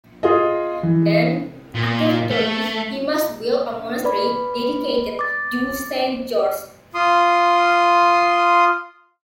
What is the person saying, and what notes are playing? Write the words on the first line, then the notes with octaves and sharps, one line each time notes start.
Then, after victory, he must build a monastery dedicated to Saint George.
F4 G#4 D#5
E3
A#2
A3
B4 D5 B5
D6 A6
F4 C6 D#6